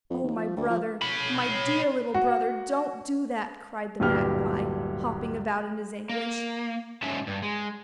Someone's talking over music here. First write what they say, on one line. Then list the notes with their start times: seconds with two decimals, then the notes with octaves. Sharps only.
'Oh, my brother, my dear little brother, don't do that,' cried the magpie, hopping about in his anguish.
0.10 F2
0.23 D#2
0.36 F3
0.57 D2
0.70 F3
1.02 C#5 B5
2.14 F#4
4.00 D1 G2 A#2 G4 F6
6.09 A#3
7.02 G#2 D3 F#3 C#4 E5 A5
7.27 G2
7.42 G#3